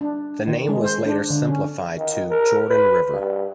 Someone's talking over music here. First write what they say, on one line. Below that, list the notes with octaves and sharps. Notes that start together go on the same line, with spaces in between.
The name was later simplified to "Jordan River".
D4
D#3
G#3
C5
D4
D3
C#4
D#3
A#4
B4
G2